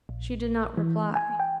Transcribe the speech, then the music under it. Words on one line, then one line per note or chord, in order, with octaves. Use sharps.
She did not reply.
A#1
E3
G#5
G5